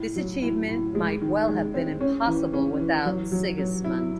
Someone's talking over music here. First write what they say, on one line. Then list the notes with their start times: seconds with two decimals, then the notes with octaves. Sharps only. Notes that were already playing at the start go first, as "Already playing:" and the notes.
This achievement might well have been impossible without Sigismund.
Already playing: A2
0.16 F#3
0.42 A2
0.68 A2
0.95 G#3
1.21 D#3
1.48 G#3
1.74 C4
2.01 C#4
2.26 E3
2.53 C#4
2.79 E3
3.05 F#3
3.32 F#3
3.58 F#3
3.84 E4